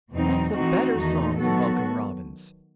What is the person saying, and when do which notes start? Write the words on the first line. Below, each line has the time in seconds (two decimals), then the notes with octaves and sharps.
That's a better song than Welcome Robin's.
0.11 E2 B2 F#3 C4 D#4
0.53 E3 A3 C4 D#4 F#4
0.96 E2 D#3 A3 D#4
1.39 D#3 F#3 B3 F#4 A4